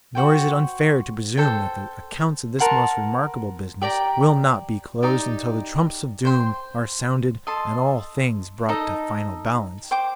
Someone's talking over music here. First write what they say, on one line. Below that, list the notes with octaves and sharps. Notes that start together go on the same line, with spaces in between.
Nor is it unfair to presume that the accounts of this most remarkable business will not be closed until the Trumps of Doom are sounded and all things brought to final balance.
F#4 C5 G5
A4 C5 G5
A#4 F#5 A5 C6
G4 D5 G5 A#5
D#4 G4 D5
C5 G5 C6
A4 D#5 A5 C6
D#4 A4 D#5
C5 G5 D6